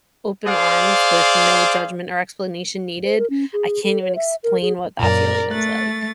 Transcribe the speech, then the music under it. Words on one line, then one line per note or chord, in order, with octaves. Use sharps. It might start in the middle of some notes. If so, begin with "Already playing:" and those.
open arms with no judgment or explanation needed, I can't even explain what that feeling is like.
G#4 C5 D5 F5
C5
A#4
C#4
G#4
A4
C#5
E5
A#4
G#4
F#2 A#2 A#4 D5
A3 F#6 A6